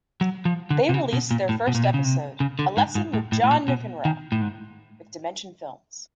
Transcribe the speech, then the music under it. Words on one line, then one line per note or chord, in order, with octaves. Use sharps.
They released their first episode, "A Lesson with John McEnroe", with Dimension Films.
F#3
F3
D3
C3
C#3
B2
A#2
A2
B2
A#2
B2
C#3
C3
C#3
D3
G#2
G#2
A2
A2
A2
A#2
B2
D#3
A2
G#2